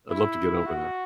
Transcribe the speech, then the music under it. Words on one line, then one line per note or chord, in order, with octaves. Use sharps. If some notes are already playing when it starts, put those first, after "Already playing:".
I'd love to get over that.
E4
F#4